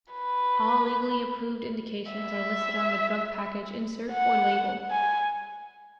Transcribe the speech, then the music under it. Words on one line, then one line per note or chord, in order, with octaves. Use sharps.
All legally approved indications are listed on the drug package insert or "label".
B4
E5
F#5
G#5